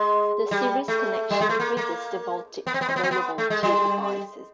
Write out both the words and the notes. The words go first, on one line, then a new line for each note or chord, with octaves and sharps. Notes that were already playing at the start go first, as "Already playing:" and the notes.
The series connection increases the voltage available to devices.
Already playing: G#3
G3
A3
G3
G#3
A3
A#3
A#3
B3
C4
B3
C4
B3
C4
B3
A3
G#3
G3